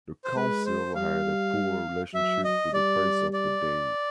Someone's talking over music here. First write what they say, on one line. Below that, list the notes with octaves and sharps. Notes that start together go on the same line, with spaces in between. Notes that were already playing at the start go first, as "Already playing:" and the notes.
The Council had a poor relationship with the press of the day.
C5
G#3 B4
C5
G3 F5
F#3 E5
D#5
G3 D5
D5